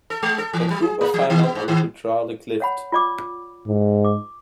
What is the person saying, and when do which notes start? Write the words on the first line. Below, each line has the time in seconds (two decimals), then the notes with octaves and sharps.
A group of firemen on a hydraulic lift.
0.10 A4
0.22 G#3
0.38 A4
0.53 E3
0.70 F#3
0.82 G#4
1.01 A#3
1.14 F3
1.30 D#3
1.43 B3
1.55 G#2
1.68 D#3
2.60 C#5 F#5 B5
2.92 F4 D5 D6
3.66 G#2
4.05 D6